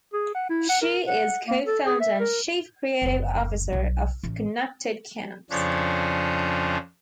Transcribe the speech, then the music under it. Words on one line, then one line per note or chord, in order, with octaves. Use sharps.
She is co-founder and Chief Creative Officer of Connected Camps.
G#4
F#5
E4
F#5
A#4
F#5
A#3
A4
G#4
E5
A#4
F#1 D2
B1
A1
F2 C#3 F3 C#4 D4